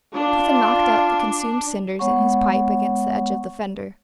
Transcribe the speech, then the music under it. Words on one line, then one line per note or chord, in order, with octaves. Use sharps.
Puffin knocked out the consumed cinders in his pipe against the edge of the fender.
D4 F4
G#3 B3 C#5 F#5 C#6